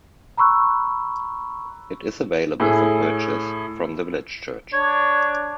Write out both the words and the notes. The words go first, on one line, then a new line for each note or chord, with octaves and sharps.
It is available for purchase from the village church.
A#5 B5 C#6 E6 F#6
A2 E4 G#4
D4 C#5